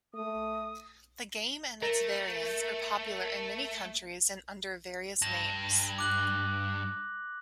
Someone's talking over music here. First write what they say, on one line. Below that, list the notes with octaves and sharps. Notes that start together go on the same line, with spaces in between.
The game and its variants are popular in many countries and under various names.
A3 D#6
A3 A#4
G2 A#6
D6 F#6 F#7